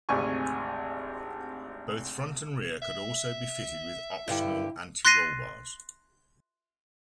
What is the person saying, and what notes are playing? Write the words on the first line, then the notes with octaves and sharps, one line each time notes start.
Both front and rear could also be fitted with optional anti-roll bars.
G#1 D2 C3 G#5 C#6
E5
G2 D3 E4 G4
C6 F#6 A6 A#6 C7 D#7